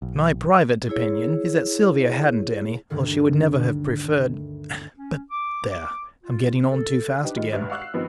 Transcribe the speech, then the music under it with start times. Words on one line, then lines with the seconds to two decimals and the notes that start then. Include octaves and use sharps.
My private opinion is that Sylvia hadn't any, or she would never have preferred--but there, I'm getting on too fast again.
0.02 B1
0.89 E4 G#4 C#5
2.90 D2 G2 D3 D#3
4.96 C#4
5.30 D6
5.70 D6
6.23 F4
6.70 A4
7.23 D4 D#4 G4 B4
7.36 D#3 G3 G#3 F4 D#5
7.52 G#1 G2 B4 E5 F6
7.70 F5 F#5 C#6 E6 F#6
7.81 C7
7.94 G2 D#3 F3 B3 C4